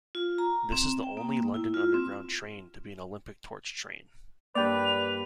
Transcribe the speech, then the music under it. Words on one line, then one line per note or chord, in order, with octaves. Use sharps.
This is the only London Underground train to be an Olympic Torch train.
F4
A#5
C4
G5
A#3
E4
F4
C4
G2 A#3 B4 D5 G5 F7